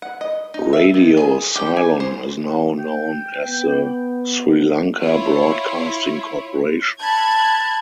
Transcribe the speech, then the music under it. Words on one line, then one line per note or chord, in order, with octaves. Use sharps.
Radio Ceylon is now known as the Sri Lanka Broadcasting Corporation.
F#5
D#5
D#4
E5
D#3
G#4
G4
G#5
C5
G5
B3
E4 F4 C#5
A5 B5 F#6 G#6